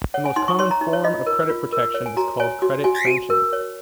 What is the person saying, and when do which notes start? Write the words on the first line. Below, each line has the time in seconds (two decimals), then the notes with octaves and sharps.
The most common form of credit protection is called credit tranching.
0.14 C#5 F#5
0.25 G#5
0.36 D#4 C6
0.48 C#6
0.59 C#5 C6
0.71 A#5
0.81 D#4
0.93 C#5
1.04 F4 D#5
1.26 A#4
1.50 F4
1.73 A#4
1.94 C#5
2.06 G#5
2.17 F#4 A#5
2.40 C#5 G#5
2.62 F#4
2.84 F#4 G#5
3.07 F#4
3.30 A#4
3.53 C#5